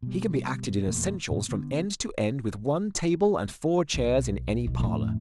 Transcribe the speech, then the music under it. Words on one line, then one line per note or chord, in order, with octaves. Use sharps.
He can be acted in essentials from end to end with one table and four chairs in any parlor.
B2 G3
D#1 E2 A#2 A3
F#2 A2 C3
D3 B3
B1
B1
F2 A2